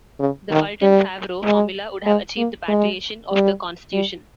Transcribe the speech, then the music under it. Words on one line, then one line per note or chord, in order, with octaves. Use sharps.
The Fulton-Favreau formula would have achieved the patriation of the Constitution.
C#3
D#3
G3
G#3
G#3
A#3
G#3
G3
G3